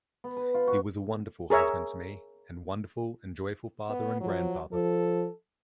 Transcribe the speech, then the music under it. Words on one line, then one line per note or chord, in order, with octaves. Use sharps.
He was a wonderful husband to me, and wonderful and joyful father and grandfather.
B3
B4
F4
F#4
G#4 A#4 C#5 E5
B3
F3 F#3
F3 A4